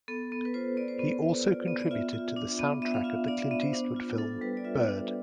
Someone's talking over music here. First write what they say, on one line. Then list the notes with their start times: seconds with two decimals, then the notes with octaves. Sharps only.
He also contributed to the soundtrack of the Clint Eastwood film "Bird".
0.08 B3 A4
0.32 B3
0.45 B4
0.54 F4 C5
0.77 B3 D5
0.88 C5
0.99 B3
1.22 B3
1.45 F4 D5
1.67 B3
1.79 D5
1.91 F4 E5
2.13 F4
2.36 D4
2.59 B3
2.82 B3 E5
2.94 F5
3.04 F4 E5
3.28 D4 D5
3.38 E5
3.51 B3 E5
3.62 C5
3.73 D4
3.96 F4
4.18 D4 A4
4.41 G3 B4
4.57 D5
4.64 F4 E5
4.87 D4